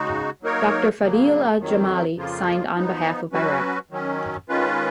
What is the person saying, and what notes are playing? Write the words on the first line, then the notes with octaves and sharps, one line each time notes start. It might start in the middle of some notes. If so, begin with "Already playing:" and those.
Doctor Fadhil Al-Jamali signed on behalf of Iraq.
Already playing: C#3 G#3 D#4 F#4
F#3 A#3 D#4 A#4 C#5
C#3 F#3 A#3
F2 D#3 F#3
F2 C#3 F3 A#3 F4
F3 B3 D#4
F#3 C#4 F#4 B4
D#3 F#3 C#4
D#3 G#3 C#4 F4 B4